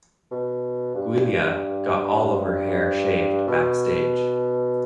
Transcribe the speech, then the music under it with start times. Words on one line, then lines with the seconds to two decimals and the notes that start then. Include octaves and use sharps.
Giulia got all of her hair shaved backstage.
0.31 B2
0.95 G2
2.22 G2
3.47 B2